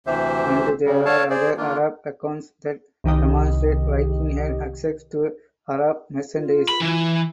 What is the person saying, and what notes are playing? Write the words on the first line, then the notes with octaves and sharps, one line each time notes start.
And there are other Arab accounts that demonstrate Vikings had access to Arab merchandise.
D2 C3 E3 G4 C5 E5
C#3 G3
A4 C#5 F5 A5
G#4 C5 D5
D#3 A#3 D4 F4
C2 D#3 G4 D#5
F4
B5
E3